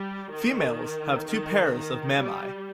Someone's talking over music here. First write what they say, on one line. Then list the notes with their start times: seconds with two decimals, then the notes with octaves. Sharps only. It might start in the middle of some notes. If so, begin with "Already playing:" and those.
Females have two pairs of mammae.
Already playing: G3
0.33 D#3
1.26 D#3
1.73 D#3
2.20 G3